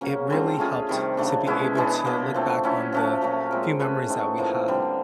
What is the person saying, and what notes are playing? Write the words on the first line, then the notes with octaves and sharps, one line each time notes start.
it really helped to be able to look back on the few memories that we had,
C#3 F#3 A#3 C#4
D3 G3 C4 F4
A3 C#4 F4 G#4
C3 D#3 G3
C#3 F#3 A3 D4
B2 G#3 C#4 E4
E3 G#3 B3 D4
B2 F#3 A#3
F3 A3 C4
F#3 A3 C#4 E4
F3 A3 C#4 F#4
A#2 F#3 A3 C#4
G#3 C4 F4 A#4
A3 C#4 F#4 B4
E3 A3 C4 D#4
A2 F3 A#3
D3 G3 C4